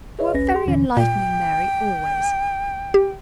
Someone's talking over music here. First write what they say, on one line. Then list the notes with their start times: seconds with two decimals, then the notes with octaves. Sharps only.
You are very enlightening, Mary, always.
0.19 G#4 B4 C#5 D#5 E5
0.34 A1 D2 C#4 B4 A#6
0.54 G#4 C6
0.66 D#2 A#2 D3 E3 C#4
0.97 A#2 G5
2.94 G4